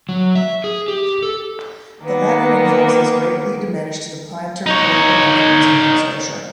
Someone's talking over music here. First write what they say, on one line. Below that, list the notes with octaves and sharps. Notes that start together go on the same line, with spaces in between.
The latter influxes greatly diminished the Planter political influence in Nova Scotia.
F#3
E5
G#4
G4
A4
D#3 A#3 B3
D#4 C#5